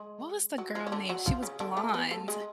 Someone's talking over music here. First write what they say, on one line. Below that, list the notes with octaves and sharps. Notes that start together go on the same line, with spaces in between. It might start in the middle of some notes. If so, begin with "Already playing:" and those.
what was the girl name? She was blonde.
Already playing: G#3 G#4
F#3 F#4
F3 F4
C#4
D3 D4
F#3 F#4
F3 F4
C#3 C#4
D3 D4
A3 A4
A4
B3 B4
A3 A4
G#3 G#4